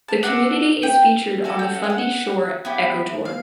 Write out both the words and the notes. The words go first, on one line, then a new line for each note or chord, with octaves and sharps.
The community is featured on the Fundy Shore Ecotour.
A5
D4 F#4 A4 F#5
G5
C#4 F#4 A4 G#5
G5
F#5
G5
F#5
B3 E4 G4
F5